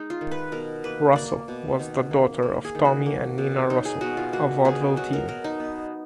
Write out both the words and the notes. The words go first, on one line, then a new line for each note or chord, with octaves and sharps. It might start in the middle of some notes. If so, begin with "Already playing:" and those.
Russell was the daughter of Tommy and Nina Russell, a vaudeville team.
Already playing: G#3 D#4
F4
D#3
B4
B2 A#4
A#3 B4
A#3 D5
B2
D#3
A#3
A#3
G#4
D#3
F#4
A#3
B2
F#3 D#4
G#4
B2 F#4
F4
A#3 F#4
B2 G#4
F#3 F#4
A#4
B2 A#4
D#4
B3